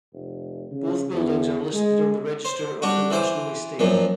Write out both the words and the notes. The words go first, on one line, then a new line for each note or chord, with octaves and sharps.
Both buildings are listed on the Register of the National Estate.
F1
C#3
E2
G#3
C5
G3 D4 F#4
E3 C5 D6
F#2 A#2 F3